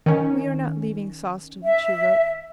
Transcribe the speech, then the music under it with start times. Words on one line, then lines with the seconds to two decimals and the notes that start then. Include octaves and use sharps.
"We are not leaving Sawston," she wrote.
0.06 D#3 C#4
1.63 E5